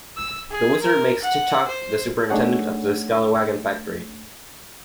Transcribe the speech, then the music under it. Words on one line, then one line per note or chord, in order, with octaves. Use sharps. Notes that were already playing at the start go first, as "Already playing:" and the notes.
The Wizard makes Tik-Tok the superintendent of the scalawagon factory.
E6
G#4
A#4
F#5
C5
A3 D4 D#4 G#4 C#5 F#5